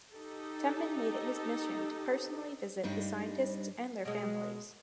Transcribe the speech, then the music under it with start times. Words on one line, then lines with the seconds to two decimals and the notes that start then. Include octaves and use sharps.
Temin made it his mission to personally visit the scientists and their families.
0.12 D#4 G4 A4
2.83 G2 G3 D4 D#4
4.05 B2 G#3